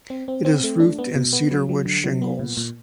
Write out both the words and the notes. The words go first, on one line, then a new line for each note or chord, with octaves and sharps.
It is roofed in cedar wood shingles.
C4
C4
C4
A3
D4
B3
B2
B3
F#3
F#3
D3
F#3
B3
A#2
A#2